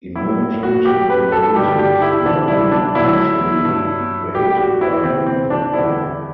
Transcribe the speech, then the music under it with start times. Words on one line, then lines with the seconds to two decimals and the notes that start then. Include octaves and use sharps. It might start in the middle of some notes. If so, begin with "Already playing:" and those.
Emergent narrative would only partially be created by the player.
0.16 F#3 E4
0.21 A2
0.63 F#4
0.85 A2 F#3 G4
1.10 B4
1.32 A4
1.56 G2 D3 G3 G4
1.79 G4
2.02 E4
2.25 D2 C3 E3 D4
2.48 E4
2.71 D4
2.95 D2 D3 F#3 E4
3.65 G2 F#3
4.34 A2 G3 G4
4.57 F#4
4.81 E4
5.04 D2 C3 E3 C4
5.26 C4
5.50 D4
5.73 E2 D3 G3 E4